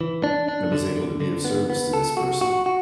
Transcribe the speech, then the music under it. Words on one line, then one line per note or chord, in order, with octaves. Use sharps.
it was able to be of service to this person.
E3
D4
D4
D3
D3
D3
B3
B3
A4
F#4
F#4
F#4